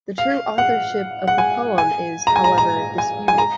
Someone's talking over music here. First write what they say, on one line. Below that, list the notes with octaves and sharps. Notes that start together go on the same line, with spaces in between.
The true authorship of the poem is, however, disputed.
F5
F#5
F#5
G#5
G#5
A#5
G#5
A#5
A#5
G#5
G#5
A#5